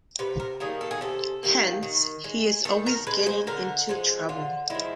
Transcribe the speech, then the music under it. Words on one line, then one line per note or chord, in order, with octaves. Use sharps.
Hence, he is always getting into trouble.
C3 B4
A#4
D#3 G3 A#3 G#4
A4
G#4
C3 A4
D#3 G3 A#3
D#3
G#3
D#3 A4
A#4
G#3 B4
C5
D3 A#4
F3 G#3
D3 F4
F3 G#3 E4